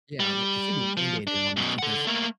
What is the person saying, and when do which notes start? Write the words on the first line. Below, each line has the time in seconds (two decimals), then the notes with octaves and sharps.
Yeah, like, it should be mandated honestly, 'cause
0.20 G3
0.97 F3
1.27 D4
1.57 F#2 B2
1.79 A4 F#5
2.07 A3 A#3